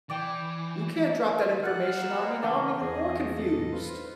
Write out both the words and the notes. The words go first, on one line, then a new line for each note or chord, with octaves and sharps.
You can't drop that information on me. Now I'm even more confused.
E3 D5 G5
F#5 F6 F#6 A6
A#3 C5 F5 E6
C#3 E3 C5 F#5 A5 D6
E2 G#4 D#5
A4 A#6
F4 B4 C5